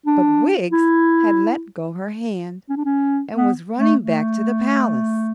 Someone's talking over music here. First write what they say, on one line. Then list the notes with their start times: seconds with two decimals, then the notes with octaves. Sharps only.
But Wiggs had let go her hand and was running back to the Palace.
0.06 D4
0.72 E4
2.69 C#4
2.77 D4
2.85 C#4
3.36 B3
3.79 A3
4.01 A3